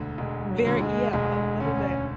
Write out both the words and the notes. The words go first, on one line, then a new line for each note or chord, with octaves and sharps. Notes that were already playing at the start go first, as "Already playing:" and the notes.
Very yeah, a little bit.
Already playing: E1 D2 D3
E1 G#3
F#3
D2 D3
G#3
E1 G#3
D2 D3 C#4